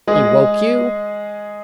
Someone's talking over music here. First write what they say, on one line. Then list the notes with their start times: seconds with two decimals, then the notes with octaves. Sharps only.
"He woke you?"
0.08 G#3 G#4